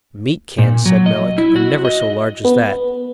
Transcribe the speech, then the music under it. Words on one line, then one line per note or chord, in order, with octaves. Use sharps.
"Meat cans," said Melick, "are never so large as that."
A#2
F#3
D#5
E4
F#4
D#5
B3